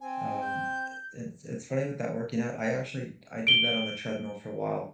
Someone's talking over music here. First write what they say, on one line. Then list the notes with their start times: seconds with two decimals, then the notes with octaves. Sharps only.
Um, i it's it's funny with that working out, I actually I did that on the treadmill for a while.
0.01 C4 G#5
0.41 G6
3.47 D7 G7